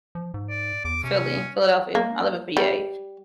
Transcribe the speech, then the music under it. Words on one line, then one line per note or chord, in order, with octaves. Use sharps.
Philly, Philadelphia. I live in PA,
F3
G#2
D5
E2 D6
C3 C#4
A#3
G3